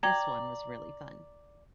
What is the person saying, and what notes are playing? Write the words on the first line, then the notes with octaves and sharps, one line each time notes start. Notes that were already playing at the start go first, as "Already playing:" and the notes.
This one was really fun.
D5 G5 A#5 G#6